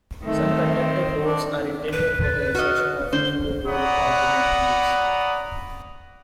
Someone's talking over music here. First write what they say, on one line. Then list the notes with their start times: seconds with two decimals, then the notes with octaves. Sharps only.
Some conductive holes are intended for the insertion of through-hole-component leads.
0.24 D#3 A3 C4
1.22 D4
1.93 B4
2.23 A6
2.55 F#4 D#5 F6
3.13 D3 C5 G7
3.66 C#5 D5 F#5 A#5 B5 D#6